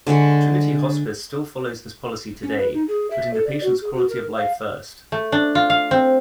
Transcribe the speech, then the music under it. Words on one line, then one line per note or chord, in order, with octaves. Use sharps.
Trinity Hospice still follows this policy today, putting the patient's quality of life first.
D3 G#3 C#5 B5
C#4
B4
D#4
G#4
E5
A4
D5
F#4
G#4
F#4
A#4
F5
A3
D4
F4
F5
C4